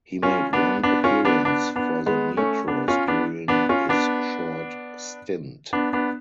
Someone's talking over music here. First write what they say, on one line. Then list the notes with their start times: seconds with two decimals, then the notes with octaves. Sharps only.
He made one appearance for the Metros during his short stint.
0.22 C#4 F4
0.53 B3 D4
0.83 B3 D4
1.04 C#4 F4
1.25 B3 D4
1.45 B3 D4
1.76 B3 D4
2.06 G#3 B3
2.37 A3 C#4
2.68 B3 D4
2.88 C#4 F4
3.08 B3 D4
3.48 B3 D4
3.69 C#4 F4
3.89 B3 D4
5.73 B3 D4
5.93 B3 D4